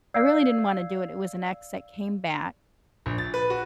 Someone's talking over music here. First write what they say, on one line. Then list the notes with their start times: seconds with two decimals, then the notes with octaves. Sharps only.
I really didn't wanna do it, it was an ex that came back
0.14 D5 F5 E6 G6 G#6 C7
3.06 A#1
3.18 A6
3.34 B4
3.50 F#4